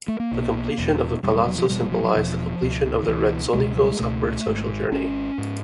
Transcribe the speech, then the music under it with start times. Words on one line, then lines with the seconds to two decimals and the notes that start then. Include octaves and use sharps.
The completion of the palazzo symbolised the completion of the Rezzonico's upward social journey.
0.08 A3
0.20 A#3
0.31 B1 B2
0.78 E1 E2 B2
1.23 E1 E2 B2 G3
1.35 G3
1.47 F#3
1.58 F3
1.69 E1 E2 B2 G3
1.82 G3
1.92 F#3
2.04 F#3
2.15 E1 E2 B2 F3
2.62 C#2 B2
3.03 D#3
3.08 C#2 B2 E3
3.54 C#2 B2 G#3
3.76 F#3
3.83 G3
3.92 G#3
3.99 C#2 B2 A3
4.46 G#1 G#2
4.91 G#1 G#2 C#4
5.38 G#2